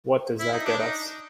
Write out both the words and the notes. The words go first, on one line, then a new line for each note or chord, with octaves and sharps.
What does that get us?
E4
D#4
D4
D#4